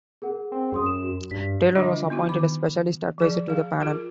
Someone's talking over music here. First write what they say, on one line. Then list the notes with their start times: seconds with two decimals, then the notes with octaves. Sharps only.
Taylor was appointed a specialist adviser to the panel.
0.22 G#4 A#4 F#5
0.52 C4
0.72 F#2 G#4 C6 D#6
0.86 E7
1.03 F#4
1.31 G2 B6
1.75 D3 G3 D4 F4 D#5 E5
2.10 B3 D#4 E4 F#4
2.29 D#3 D6
3.18 F3 G#4 D5
3.48 G#4 F5
3.81 F4 G#4 A#4